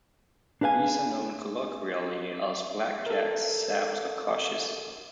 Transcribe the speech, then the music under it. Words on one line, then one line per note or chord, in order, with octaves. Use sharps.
These are known colloquially as blackjacks, saps, or coshes.
D4 G#4 B4 F5 G#5
A4 A#4